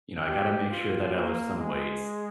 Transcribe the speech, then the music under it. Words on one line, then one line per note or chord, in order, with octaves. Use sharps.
You know, I gotta make sure that I lift some weights,
G4
F4
A#3
G#3